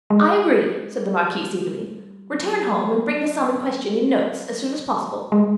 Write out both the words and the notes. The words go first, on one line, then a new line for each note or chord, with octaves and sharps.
"I agree," said the marquise, eagerly; "return home and bring the sum in question in notes, as soon as possible."
G#3
G3
F#3
G3
G#3